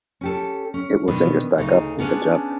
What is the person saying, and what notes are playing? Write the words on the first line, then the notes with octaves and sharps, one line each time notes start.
It will send your stock up with a jump.
C#4 G4 A4
C#4
B2 D#3 B3 D4
D2 C#3 D#4
B3 C#4 D4 G#4